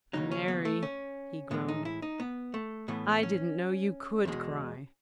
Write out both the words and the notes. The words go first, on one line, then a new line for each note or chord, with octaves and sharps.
"Mary," he groaned, "I didn't know you COULD cry!"
D#2 C#3 F#3 D#4
C#4
B3
A3
C#4
A2 E3 G#3 B3
D#4
E4
D#4
B3
A3
A2 E3 A3 B3
C#4
E2 B2 G#3